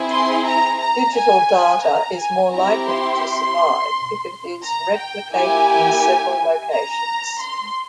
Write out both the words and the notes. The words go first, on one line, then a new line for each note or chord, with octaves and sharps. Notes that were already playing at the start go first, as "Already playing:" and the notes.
Digital data is more likely to survive if it is replicated in several locations.
Already playing: C4 E4 G#4
C6
A#5
A#5
G#5
A#5
G#5
C4 E4 G4 A#5
C6
A#5
G5
A#3 E4 G4 G#5
A#5
C6